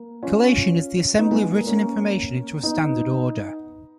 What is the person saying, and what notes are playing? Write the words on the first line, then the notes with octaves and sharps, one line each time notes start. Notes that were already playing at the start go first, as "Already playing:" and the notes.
Collation is the assembly of written information into a standard order.
Already playing: A#3
C#4 F4
B3 D#4
G#3 B3
A#3
A#3 C#4
B3 D#4